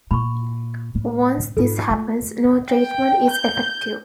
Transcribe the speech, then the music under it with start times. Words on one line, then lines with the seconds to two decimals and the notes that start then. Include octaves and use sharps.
Once this happens, no treatment is effective.
0.11 A#2 B5 C#6
0.95 A2
1.57 G#2 C4 F4 A4
1.90 A3
2.70 G5
3.30 G6